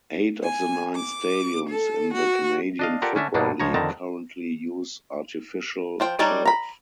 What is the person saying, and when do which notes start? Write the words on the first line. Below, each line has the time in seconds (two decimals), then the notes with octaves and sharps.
Eight of the nine stadiums in the Canadian Football League currently use artificial turf.
0.42 G#5
0.95 D6
1.69 A4
2.12 F#4
2.79 D4 D#5 F5
3.02 F4 G4 A4 A#4 D5 F#5
3.15 D3 C#4 D4 E5
3.34 G2 B2 A#3 D4 D#4
3.60 C#2 F3 C#5 A#5
3.74 F2 D3 D#3 C4 A5 A#5
6.00 F3 C5 G5
6.19 G3 D4 D#4 C#5 D5
6.45 A#5 B5